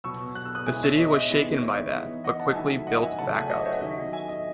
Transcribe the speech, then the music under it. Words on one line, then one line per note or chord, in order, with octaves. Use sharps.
The city was shaken by that, but quickly built back up.
B2 F#3 B3 C#6 E6
F#6
E6
D#6 F#6
B2 G#3 C#4 E4 E5 G#5
C#5 E5
D#5
D#3 G#3 B3 E4
C#5 E5
E3 B3 D#4
D#5 F#5
F#5 A5
A5
D#3 F#3 A3 E4 E5 G#5
D#5 F#5
E5 G#5
C#3 F#3 A3 C#4 E4 F#5 A5
E5 G#5
D#5 F#5
C#5 E5
D#3 F#3 C#4 D#5
E5 G#5
D#5